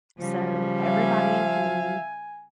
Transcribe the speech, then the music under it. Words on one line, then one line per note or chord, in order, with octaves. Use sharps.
So, everybody who
C#3 F3 G3
E5 F5 G#5